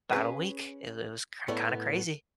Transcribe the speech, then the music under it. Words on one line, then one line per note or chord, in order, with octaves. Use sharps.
'bout a week, it it was k kinda crazy.
C#4 G#4 B4
A2 A3 B3 C#5 D5 B5